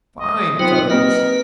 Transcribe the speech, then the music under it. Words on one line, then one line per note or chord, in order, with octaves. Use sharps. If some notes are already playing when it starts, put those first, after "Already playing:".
Fine fellows!'
D#5
F#3 B3 C4 D#4 F4
A#3 C4 G4 A#4 B4 D#5